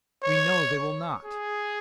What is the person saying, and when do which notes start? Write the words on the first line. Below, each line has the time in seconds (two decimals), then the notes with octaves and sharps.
We know they will not.
0.23 C#5
1.25 G#4